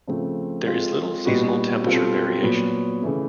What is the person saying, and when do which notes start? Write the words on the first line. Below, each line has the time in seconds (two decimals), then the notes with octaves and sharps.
There is little seasonal temperature variation.
0.08 C#3 F3 A3 C4
0.65 G#3 C4 F4 A4
1.25 A#2 G3 B3 D#4 F#4
1.83 B2 G3 C4 F4 A4
2.43 A#2 F#3 B3
3.02 C#3 E3 A3